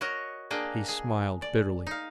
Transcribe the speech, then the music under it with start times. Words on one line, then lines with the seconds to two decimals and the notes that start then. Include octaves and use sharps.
He smiled bitterly.
0.01 F#4 A#4 C#5 D#5
0.51 A#3 D4 G#4 D#5 G5
0.89 G#4
1.42 D5
1.87 D#4 F5